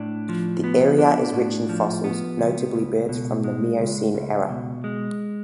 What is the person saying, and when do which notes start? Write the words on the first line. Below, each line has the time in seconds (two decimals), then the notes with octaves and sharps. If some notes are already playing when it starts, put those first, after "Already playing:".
The area is rich in fossils, notably birds from the Miocene era.
Already playing: A2 D4
0.29 F3
0.64 B3
0.99 D4
1.34 A2
1.69 F3
2.04 B3
2.39 C#2
2.74 C#2
3.09 B2
3.44 G#3
3.79 C#2
4.15 C#2
4.49 B2
4.84 G#3